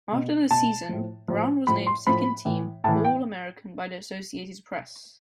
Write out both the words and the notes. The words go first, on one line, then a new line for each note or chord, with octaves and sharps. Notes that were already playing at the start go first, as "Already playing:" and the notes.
After the season, Brown was named Second-Team All-American by the Associated Press.
B2
B2 A5
A2 F3
A2 F3
A2 F3 B5
C6
A2 F3 B5
A2 E3
A2 E3 A5
G5